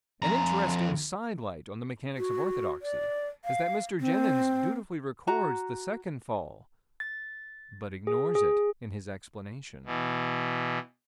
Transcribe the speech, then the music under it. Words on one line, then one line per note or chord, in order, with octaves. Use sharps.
An interesting sidelight on the mechanics of orthodoxy is that Mr. Jenyns dutifully records the second fall, but ignores it in his explanation.
F2 A#5
F#4
D5
F5
C4
F#4 A#5
A6
G#4
G#4
B2 E3